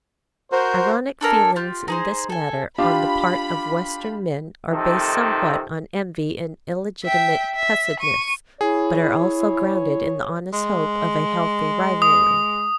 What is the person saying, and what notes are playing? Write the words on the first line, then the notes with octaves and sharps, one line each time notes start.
Ironic feelings in this matter on the part of western men are based somewhat on envy and illegitimate cussedness, but are also grounded in the honest hope of a healthful rivalry.
F#4 A#4 C5
D4 A4 A#4 G#5
F4 G4
D#4 G#4 C5
A4 G#5
D4 F4 G4 B5
F2 C3 D#3 D#4 A4
E5 G5
E5
C#6 D#7
E4 G#4 C#5
G#3
D#6